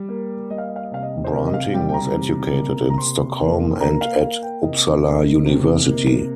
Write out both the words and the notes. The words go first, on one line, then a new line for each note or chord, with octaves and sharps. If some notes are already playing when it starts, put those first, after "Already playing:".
Branting was educated in Stockholm and at Uppsala University.
Already playing: G3
A#3
G3 D#5
F5
D#5
F5
D#5
C3 F5
D#5
C5
C3 A#4
D#5
F5
G3 G5
G5
A#5
C3
A#3
A#5
C3 C6
A#3
A#3 A#5
F5
A#3 F5
G5
C3 D#5
A#3
C3
A#3